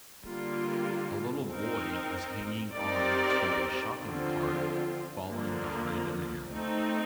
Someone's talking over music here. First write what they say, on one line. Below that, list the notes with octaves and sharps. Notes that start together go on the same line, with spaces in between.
A little boy is hanging on to a shopping cart following behind a man.
D3 G3 A#3 F4
C4 D#4 A#4
C4 D#4 G4 A#4 D5
D3 F3 C4 F4
D3 F3 A#3
A3 C4 D#4